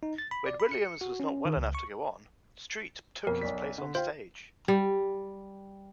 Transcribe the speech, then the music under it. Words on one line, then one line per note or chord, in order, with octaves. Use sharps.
When Williams was not well enough to go on, Street took his place onstage.
D#4
A6
B5
D5
B5
C#7
F#4
C#4
D#3
C#2
C#6
F2 B2 A#4
B1 D5 B6
D3
F4 C5 F5 G5
G3